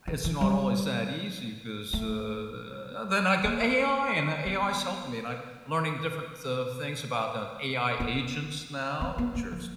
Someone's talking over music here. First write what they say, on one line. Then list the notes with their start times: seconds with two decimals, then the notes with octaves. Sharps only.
it's not always that easy 'cause, uh, then I got AI and that AI's helping me, and I'm learning different, uh, things about AI agents now, which are,
0.07 D#3
0.24 E3
0.41 G3
1.93 A3
3.45 A#3
4.46 B3
8.00 B3
9.01 C4
9.18 B3
9.35 A#3
9.52 F3